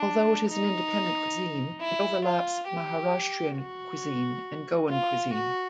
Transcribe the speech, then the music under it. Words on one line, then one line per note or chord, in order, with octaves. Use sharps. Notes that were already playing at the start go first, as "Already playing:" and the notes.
Although it is an independent cuisine, it overlaps Maharashtrian cuisine and Goan cuisine.
Already playing: D4
D#4
E4
F4
G4
F#4
F4
F#4